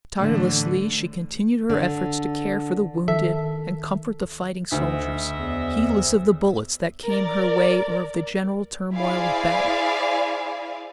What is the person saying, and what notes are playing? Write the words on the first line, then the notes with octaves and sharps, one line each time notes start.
Tirelessly she continued her efforts to care for the wounded and comfort the fighting soldiers, heedless of the bullets that came her way or of the general turmoil of battle.
A2 D3 E3
D3
D#3 A4 E5
D2 D#5 E5
E2
A#4 D5
E4 G#4 C5 D5 F5 G#5